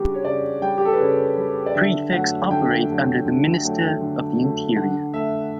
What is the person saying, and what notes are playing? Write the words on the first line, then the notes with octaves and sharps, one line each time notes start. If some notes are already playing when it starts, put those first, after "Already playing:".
Prefects operate under the Minister of the Interior.
Already playing: C#3 G3 D4 F#4 G4
C#5
C#3 D5
G3 G5
G4
A4
B4
C#3 C#5
G3
D5
D3 E5
F#3 A3 F#5
D3 G5
F#3 A3
D3
F#3 A3
D3
F#3 A3
D3 F#5
A3 E5